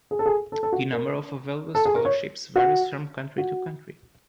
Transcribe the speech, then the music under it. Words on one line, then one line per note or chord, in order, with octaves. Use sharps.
The number of available scholarships varies from country to country.
G#4
A4
G#4
A4
A4
F#4
A#4
A4
G#4
A#4
C#5
F#4
F#4